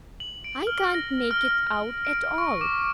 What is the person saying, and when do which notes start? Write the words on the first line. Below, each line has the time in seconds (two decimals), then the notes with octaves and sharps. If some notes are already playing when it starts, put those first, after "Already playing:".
I can't make it out at all.
0.20 F#7
0.44 D7
0.67 F6
0.94 A#6
1.31 F6
1.51 F6
2.05 D7
2.38 C#6
2.61 D6